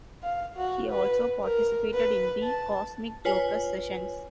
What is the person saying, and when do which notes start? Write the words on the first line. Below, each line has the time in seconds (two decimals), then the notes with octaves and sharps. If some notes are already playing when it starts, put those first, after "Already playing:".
He also participated in the Cosmic Jokers sessions.
0.23 F5
0.56 F#4
0.90 B4
1.43 A#4
1.94 B4
2.43 A5
3.25 F4 B4 C#5 G#5